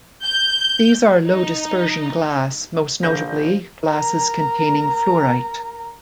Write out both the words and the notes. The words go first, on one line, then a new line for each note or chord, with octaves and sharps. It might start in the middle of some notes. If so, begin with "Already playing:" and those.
These are low dispersion glass, most notably, glasses containing fluorite.
G6
D#4
A#1 D3 D#4 F4 C5 G6 A#6
A#4 A#5